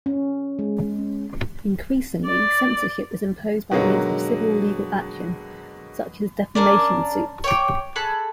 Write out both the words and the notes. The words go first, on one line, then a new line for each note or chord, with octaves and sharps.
Increasingly, censorship is imposed by means of civil legal action, such as defamation suits.
C#4
G#3
C#4
D5
B2 D3 D#3 F#3 G#3 A#3
C#4 D4 A#4 D5
C#5 G5 D6
G#4 A4 B5 F#6